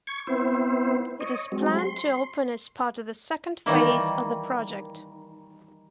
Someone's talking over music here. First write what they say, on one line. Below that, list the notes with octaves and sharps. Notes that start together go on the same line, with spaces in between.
It is planned to open as part of the second phase of the project.
C#6 G#6
B3 C4 E4 C5
C#5 D#5
F#3 G#3 C4
C6
D#3 E3 G3 A#3 E4